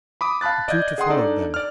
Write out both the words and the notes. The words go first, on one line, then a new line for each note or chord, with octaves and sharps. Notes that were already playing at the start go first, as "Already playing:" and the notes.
The tutor followed them.
B5 D6 D#6
F5 A5 B5 F#6 A6
D5 D#5 F5 G6 G#6
G#4 D#5 F#5 G5 C6 D#6
D4 D#4 A4 D5
D5 F6